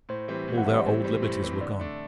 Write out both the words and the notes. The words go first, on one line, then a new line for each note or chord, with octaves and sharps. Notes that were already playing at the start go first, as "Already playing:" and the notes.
All their old liberties were gone.
A2 C5
E3 G3 C4
A2
F#5
E3 G3 C4 E5
D5
A2 C5
E3 G3 C4
A2
E3 G3 C4
D3 D5
A3 D4